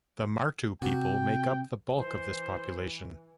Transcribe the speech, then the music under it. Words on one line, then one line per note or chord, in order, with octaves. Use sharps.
The Martu people make up the bulk of this population.
C3 F#4 G5
E3 C5